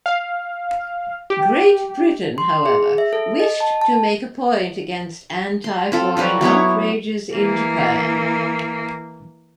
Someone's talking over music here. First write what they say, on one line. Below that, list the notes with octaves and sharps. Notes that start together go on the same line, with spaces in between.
Great Britain; however, wished to make a point against anti-foreign outrages in Japan.
F5
G4
C6
G#4
E5
A4
D#5
A5
A5
C6
C4 F4 A4
F#3 G3 F#4 B4
F#3 B3 E4 C#5
E3 A#3